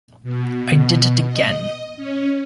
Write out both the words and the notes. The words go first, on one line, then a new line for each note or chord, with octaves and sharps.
I Did It Again.
B2
D#5
C#4